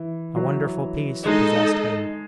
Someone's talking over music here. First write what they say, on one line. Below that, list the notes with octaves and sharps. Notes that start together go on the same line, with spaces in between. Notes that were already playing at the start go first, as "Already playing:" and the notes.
A wonderful peace possessed him.
Already playing: E3
F#3
G#3 D#4 A4 D#5